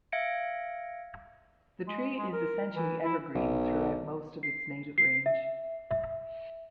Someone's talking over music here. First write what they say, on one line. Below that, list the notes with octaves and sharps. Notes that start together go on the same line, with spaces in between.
The tree is essentially evergreen throughout most of its native range.
E5 F5 G#6 A#6 C#7 D7
G#3
G#3
A#4
E3
E4
B1
C7
C7
E5
E5